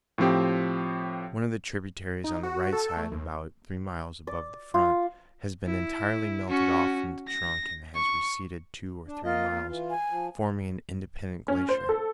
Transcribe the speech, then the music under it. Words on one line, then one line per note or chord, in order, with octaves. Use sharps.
One of the tributaries on the right side, about three miles above the front, has been entirely melted off from the trunk and has receded two or three miles, forming an independent glacier.
A2 F3 C4 G4
D#4
F#4
A4
A3
D#2
D5
F4
E4
C#4 F#4
A#6
C#6
D4
A#3 F4 D#5
A#3
E3 F4
G#5
F3
C#4
C5
A4